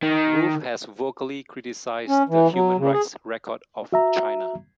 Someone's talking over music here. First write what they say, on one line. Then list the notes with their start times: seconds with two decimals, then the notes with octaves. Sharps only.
Wolf has vocally criticized the human rights record of China.
0.03 D#3
2.09 C#4
2.29 E3
2.53 F#3
2.78 C#3
2.93 G#4
3.92 F#4 E5 A#5